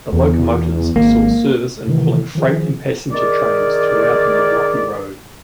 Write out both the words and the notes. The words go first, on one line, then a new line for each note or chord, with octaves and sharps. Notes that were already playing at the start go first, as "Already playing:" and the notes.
The locomotives saw service in pulling freight and passenger trains throughout the Milwaukee Road.
E2
G#1 A#3
A2 C3 D#3 E3
D#3 F3 G#4
D#3 G#4 A#4 D5